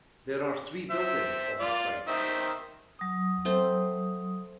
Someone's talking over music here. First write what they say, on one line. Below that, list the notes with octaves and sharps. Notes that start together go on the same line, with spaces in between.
There are three buildings on the site.
C5 E5
F4 D5
D#3 C5 E5
F#3 D#6
A3 C4